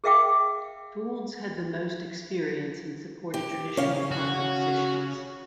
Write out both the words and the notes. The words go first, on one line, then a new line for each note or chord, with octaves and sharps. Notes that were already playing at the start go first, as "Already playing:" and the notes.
Foulds had the most experience and supported traditional party positions.
G#4 A#4 E5 F5 G5 D6
G4
C#3 C#4 F5
F#4